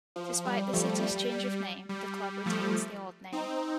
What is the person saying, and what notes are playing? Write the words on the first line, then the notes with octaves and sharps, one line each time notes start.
Despite the city's change of name, the club retains the old name.
F3
G3
F3 A3
G3
G3
G3
F3 A3
C4 D#4